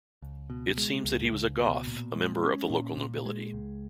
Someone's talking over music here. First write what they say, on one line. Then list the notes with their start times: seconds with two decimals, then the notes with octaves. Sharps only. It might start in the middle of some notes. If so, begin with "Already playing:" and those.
It seems that he was a Goth, a member of the local nobility.
0.22 C#2
0.50 B2
0.77 G#3
1.04 C#2
1.32 C#2
1.61 B2
1.87 A#2
2.14 G#3
2.43 C#4
2.70 A#2
2.97 A#2
3.25 G#3
3.53 C#2